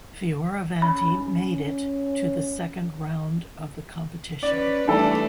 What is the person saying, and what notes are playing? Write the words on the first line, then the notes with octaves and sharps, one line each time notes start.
Fioravanti made it to the second round of the competition.
C#4 B5
C#4 B4 D5
E3 G3 A3 D4 A4